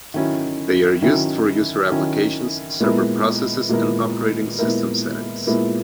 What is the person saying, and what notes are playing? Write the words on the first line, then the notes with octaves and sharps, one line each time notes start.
They are used for user applications, server processes and operating system settings.
D#3 F#3 C#4 E4
D#3 F#3 C#4 E4
D#3 F#3 C#4 E4
A#2 G#3 B3 E4 A#4
A#2 G#3 B3 E4 A#4
A#2 G#3 B3 E4 A#4
A#2 G#3 B3 E4 A#4